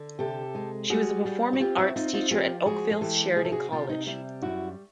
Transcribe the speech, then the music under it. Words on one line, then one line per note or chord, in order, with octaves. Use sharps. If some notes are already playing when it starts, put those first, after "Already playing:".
She was a performing arts teacher at Oakville's Sheridan College.
Already playing: D3
C3 G4 A4
G#3
G3 F#4 G#4
G3
F#4
C4 F4 G4
E4 F#4
C4 D#4 F4
D#4 F4
F3 F4 G4
G#3 F#4 G#4
G#4
E3 G4 A4
C3 G#4
A4
F#4 G#4
C3 F4 G4
D#4
G3 E4
F#2 E4 F#4